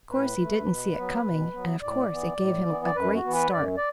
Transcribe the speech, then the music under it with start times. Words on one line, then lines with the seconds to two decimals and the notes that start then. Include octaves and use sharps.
Of course he didn't see it coming, and of course it gave him a great start.
0.12 A2 B4
0.40 A3
0.68 B2
0.97 F#3 B3
1.26 B2
1.54 F#3 B3
1.82 A2 D5
2.11 E3 B3
2.39 A2
2.68 E3 B3
2.85 D5
2.96 F#2 B4
3.15 F#4
3.24 E3 B3
3.34 B4
3.52 F#2 D5
3.77 D5